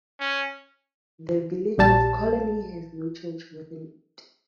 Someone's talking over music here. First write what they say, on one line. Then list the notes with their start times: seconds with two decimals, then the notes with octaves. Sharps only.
The village of Coolaney has no church within it.
0.20 C#4
1.78 A#1 G3 A5